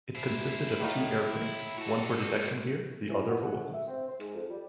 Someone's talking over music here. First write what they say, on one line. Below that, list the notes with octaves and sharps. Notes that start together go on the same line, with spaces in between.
It consisted of two airframes, one for detection gear, the other for weapons.
E4 C5
A2 D#4 F5
F#4 A4
E3
F#4
F#5
D2
E5
C4
C5
G#2
F2
G3